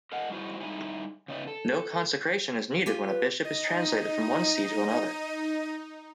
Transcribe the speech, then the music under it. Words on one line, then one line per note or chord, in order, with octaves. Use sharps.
No consecration is needed when a bishop is translated from one see to another.
A#4 D#5 F#5
G3 D#4 E4 F#4 C5
G3 D#4 E4 G#5
C#3 B3 D#4 C5 D5 E5
A4
F4 G4 G#5
B4
D#4 D#5